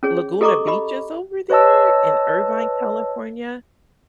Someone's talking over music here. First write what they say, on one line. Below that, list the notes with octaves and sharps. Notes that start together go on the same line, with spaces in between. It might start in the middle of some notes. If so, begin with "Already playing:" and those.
Laguna Beach is over there in Irvine, California.
C#4 G#4 C#5
G4 A4 D#5 A#5 C#6 D6
G4 D#5 B5
B4 C#5 D#5 A5 E6